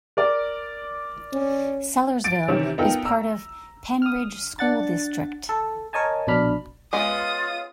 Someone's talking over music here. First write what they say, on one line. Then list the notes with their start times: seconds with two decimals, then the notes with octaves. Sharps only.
Sellersville is part of Pennridge School District.
0.17 A#4 D5
1.33 C#4
2.24 A6 D7
2.48 C3 D#3 E3 C#4 E4
2.78 B3 D#4 F4 A4 A#4 G5
3.05 A#5 E6
4.02 D#6 F6
4.59 D4 F#5 A6
5.49 A4
5.93 A#4 C#5 D#5 G#5 A5
6.27 A#1 B2 D4 B5 F6
6.93 G#3 B3 C#4 F4 D#6